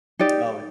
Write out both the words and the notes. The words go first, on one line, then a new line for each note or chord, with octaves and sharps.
Oh, it
D#4 G4 D5